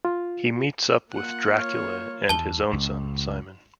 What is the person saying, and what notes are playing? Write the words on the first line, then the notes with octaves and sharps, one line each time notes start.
He meets up with Dracula and his own son, Simon.
F4
A#3 F4 F#5
C#5 F6
E2 A5 G7
C#2